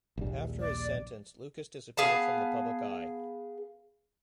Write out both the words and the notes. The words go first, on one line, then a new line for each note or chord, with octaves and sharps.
After his sentence Lucas disappeared from the public eye.
A#1 D#2 G3
D5
B3 G#4 F5 A5